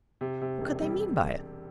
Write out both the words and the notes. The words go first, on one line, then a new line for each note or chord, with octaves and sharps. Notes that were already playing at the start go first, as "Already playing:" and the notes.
What could they mean by it?
C3
C3
E1
G3